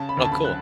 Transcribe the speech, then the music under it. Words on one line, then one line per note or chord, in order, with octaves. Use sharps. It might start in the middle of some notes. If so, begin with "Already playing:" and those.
Oh, cool.
Already playing: C#3 A5
B5
D2
A5
B5
F#6